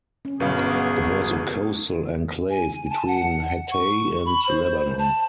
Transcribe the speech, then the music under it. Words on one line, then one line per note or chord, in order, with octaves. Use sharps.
It was a coastal enclave between Hatay and Lebanon.
C#4
G1 B2 F#3 F#4 G#4 B4 F5
G#5
A5
F#5
C#6
B5
C5
A5